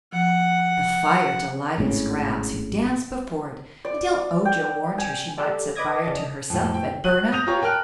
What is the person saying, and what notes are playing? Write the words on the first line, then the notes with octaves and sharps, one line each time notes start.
The fire delighted Scraps, who danced before it until Ojo warned her she might set fire to herself and burn up.
F3 F#5
G#1 A2 C#3
D5
G5
G#5
G4 A4 D5
B4 D#5 D6 D#6 G#6 A#6
C#3 D5 D#5 A5
F2 A2
G5
F#6 D#7 F#7
D#6 G6 A#6 D#7 F7
F4 G4 C#5 A#5 C#6
A#4 G5 A5 F6 F#6